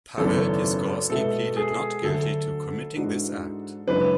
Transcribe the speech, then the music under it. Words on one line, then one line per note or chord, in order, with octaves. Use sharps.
Pawel Piskorski pleaded not guilty to committing this act.
G#1 F#2 C#3 E3 B3 A4
B2 G#3 B3 E4 A4
G#4
D2 D3 F#3 A3 A4
G#2 E3 G#3 D4 F#4
F#2 C#3 E3 G#3 D4 B4